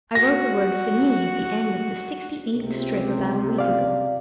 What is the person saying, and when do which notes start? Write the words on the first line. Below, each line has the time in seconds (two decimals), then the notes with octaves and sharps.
I wrote the word finis at the end of the sixty-eighth strip about a week ago.
0.15 F#4 A#6
2.55 C#2 C3
3.58 D5 F5